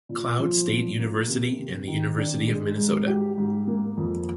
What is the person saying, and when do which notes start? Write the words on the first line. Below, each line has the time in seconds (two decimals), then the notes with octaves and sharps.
Cloud State University and the University of Minnesota.
0.09 A#2
0.39 F3
0.69 A#2
0.99 A#3
1.28 C3
1.59 C3
1.88 D#3
2.18 D4
2.47 G#3
2.78 G#2
3.07 G4
3.37 G#2
3.67 A#3
3.97 F2